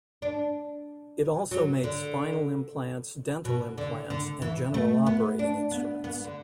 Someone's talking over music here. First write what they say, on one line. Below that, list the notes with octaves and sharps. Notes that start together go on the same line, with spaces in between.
It also made spinal implants, dental implants, and general operating instruments.
D4
F#3
D3
B2
D3
D3
E3
A3
B3
D4
B3
B3
D3